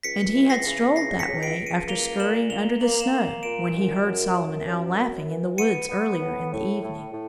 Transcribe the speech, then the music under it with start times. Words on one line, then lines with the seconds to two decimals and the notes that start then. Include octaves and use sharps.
And he had strolled that way after scurrying under the snow when he heard Solomon Owl laughing in the woods earlier in the evening.
0.03 C#2 B6 C#7
0.35 E3
0.50 A#6 C7
0.65 C#3
0.96 C#2 A#6 C7
1.19 B6 C#7
1.28 C#2
1.43 C7 D7
1.58 C#2
1.66 C#7 D#7
1.89 A#3 F7 G7
2.20 A#2 E7 F#7
2.50 A#3 F7 G7
2.81 A#3 F#7
2.92 F7
3.01 E7 F#7
3.13 A#3
3.43 A#2 D7 E7
3.75 F#2
4.05 F#2
4.36 F#2
4.66 F#2
4.97 F#2
5.27 E3
5.58 B3 C#7 D#7
5.90 B3
6.20 A2
6.52 A2
6.82 A2
7.13 A2